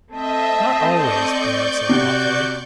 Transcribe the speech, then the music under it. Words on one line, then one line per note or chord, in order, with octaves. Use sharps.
"Not always," Bruno said thoughtfully.
A3 C4 D#5 E5 A5
D5 C#6 G6
C3 F#4